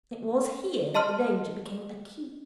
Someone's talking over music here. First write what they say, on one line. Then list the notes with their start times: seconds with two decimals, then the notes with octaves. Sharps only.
It was here that the danger became acute.
0.95 D#5 A5 C6 F6